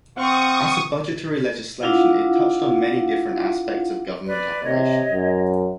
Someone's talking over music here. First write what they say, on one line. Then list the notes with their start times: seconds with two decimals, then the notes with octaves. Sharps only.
As a budgetary legislation, it touched on many different aspects of government operation.
0.16 C4 F5 F#5 C#6 D#6
1.81 D4 E4 F4 F5 F#5
4.26 B4 D5
4.65 C3 C#5 D#5
5.12 F#2